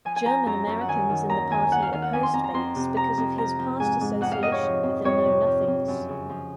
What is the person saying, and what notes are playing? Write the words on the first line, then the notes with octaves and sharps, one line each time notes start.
German-Americans in the party opposed Bates because of his past association with the Know-Nothings.
F3 G#5
G#5
F3 A#5
F#2 A#5
F#2
F#5
D#3 G#5
D#3
D#2 A#5
D#2 G#5
D#3 F#5
F5
D#3 F5
F#5
F2 G#5
C6
F2 A#5
A#5
F2 C6
C3
F3 A#5
F2
F3 A#5
F3
G#2 G#5
G#2
F2 F#5
F5
C3 D#5
C#5
F3
F2
F2 C#5
C3
F3
F2
F#2
C#3
F3